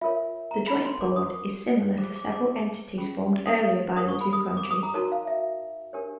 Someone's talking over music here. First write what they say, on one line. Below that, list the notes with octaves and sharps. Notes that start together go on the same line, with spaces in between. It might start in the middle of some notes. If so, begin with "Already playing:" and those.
The joint board is similar to several entities formed earlier by the two countries.
F4 A#4 C#5 E5
A#5
B5
C6
D4 F#4 A#4 C#5 D6
D#6
F4 G#4 C5 D6
D6
D6
C#4 F4 G#4
D#6
D4 G4 A#4 C#5 D#6
C#6
B5
D#6
D6
D#6
A#5
D#4 F#4 A#4 C#5 A5
F5
E5
D4 G4 A#4 C#5